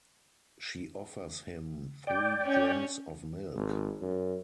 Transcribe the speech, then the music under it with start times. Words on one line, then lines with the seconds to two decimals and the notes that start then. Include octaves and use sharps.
She offers him three drinks of milk.
2.07 D5 G5
2.44 C#4
3.55 G#1
4.01 F#2